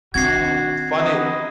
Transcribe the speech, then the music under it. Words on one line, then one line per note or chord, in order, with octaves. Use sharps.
um, funded
D#3 C4 D4 F#4 G#6 C7
D3 B3 D#4 D#5